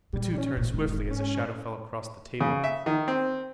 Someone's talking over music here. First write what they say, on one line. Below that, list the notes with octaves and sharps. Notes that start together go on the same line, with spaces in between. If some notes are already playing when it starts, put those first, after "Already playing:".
The two turned swiftly as a shadow fell across the table.
A#2 G3
C#4
A1 A#2
E1 G#2
C#4
C#3
E5
D#3
C4